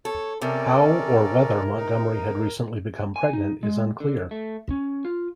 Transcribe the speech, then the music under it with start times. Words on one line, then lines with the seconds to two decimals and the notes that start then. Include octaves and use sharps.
How or whether Montgomery had recently become pregnant is unclear.
0.05 A4 C#5
0.41 C3 C#4 A4 A#4 D5
1.78 D#4
3.16 G#5
3.33 D#4
3.63 G#3
4.00 D3
4.31 A3
4.71 C#4
5.05 F4